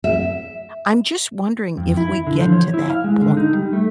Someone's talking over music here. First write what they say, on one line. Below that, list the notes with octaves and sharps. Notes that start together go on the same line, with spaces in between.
I'm just wondering if we get to that point.
E5
F2
E4
D3
F3
C#5
E4
F5
G#3
D3
D#4
G3
A3